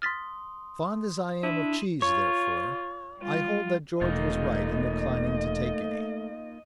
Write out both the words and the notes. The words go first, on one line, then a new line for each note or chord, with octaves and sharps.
Fond as I am of cheese, therefore, I hold that George was right in declining to take any.
C6 D#6 F6 A6 B6
D4 E4 D#7 E7 F#7
F4 C#5
G3 F4
E1 A3 A#3 D#4 F4 D#5